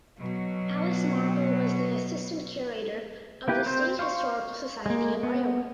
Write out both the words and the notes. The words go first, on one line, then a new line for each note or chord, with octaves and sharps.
Alice Marple was the assistant curator of the State Historical Society of Iowa.
B2 F#3
A#3 E4 G4 B4
C4 C5
F5 C6 C#6
G#3 A#3
B3